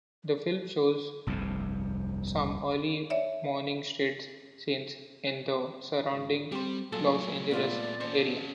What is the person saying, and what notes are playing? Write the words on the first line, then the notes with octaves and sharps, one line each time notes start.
The film shows some early morning street scenes in the surrounding Los Angeles area.
F1 C2 G2 C3
C#5 D5 E5
G#1
G3 C4 G4 C5
A#2 F#3 A3 G#4 A4
A#2 B3 F4 A#4 D5
C#4 A4 C5